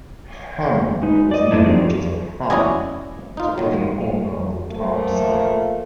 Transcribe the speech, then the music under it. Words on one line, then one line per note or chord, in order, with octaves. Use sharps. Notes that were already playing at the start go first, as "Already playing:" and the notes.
Hammond was named for Joseph Hammond, the original owner of the town site.
G#3 D#4 B4
D5 D#5
F#2 F#3 A3 A#3 D4 E4
F3 C4 D#4 F4 G#4 D5
C#4 E4 F#4 D5 D#5 G#5
D#4 F4
D#3 F#3
A#2 F3 A3 A#3